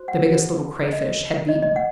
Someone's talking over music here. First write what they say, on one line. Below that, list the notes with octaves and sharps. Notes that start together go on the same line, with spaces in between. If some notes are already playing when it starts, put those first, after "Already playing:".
The Biggest Little Crayfish had beaten.
Already playing: F#4 C5
F#5
D#5
D#5
D#5
F#5